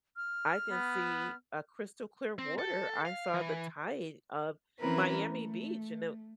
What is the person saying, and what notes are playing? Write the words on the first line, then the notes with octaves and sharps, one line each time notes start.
I can see a crystal clear water. I saw the tide of Miami Beach and the
F6
B3
C4
A4
F5
E3
E3 C4 C#4 E4 A#4 B4
A3